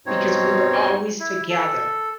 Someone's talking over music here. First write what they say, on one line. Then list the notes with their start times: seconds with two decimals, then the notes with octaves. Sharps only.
because we were always together.
0.06 G2 B2 C4 D#4 C#5
1.20 E4
1.50 A4